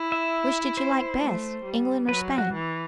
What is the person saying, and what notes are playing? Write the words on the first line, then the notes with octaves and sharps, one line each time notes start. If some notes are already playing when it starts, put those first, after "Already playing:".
"Which did you like best--England or Spain?"
Already playing: E4
E5
C5
A3
G3
F#3 B4
F#4
E3